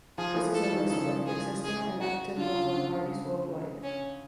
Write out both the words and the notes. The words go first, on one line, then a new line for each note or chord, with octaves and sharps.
This is a list of existing and active Liberal Parties worldwide.
F3 G#4
E3
A4
D#3
C#3 A4
G#4
G#4
F#4
D3 F4
C#3
D3
C#3
C#4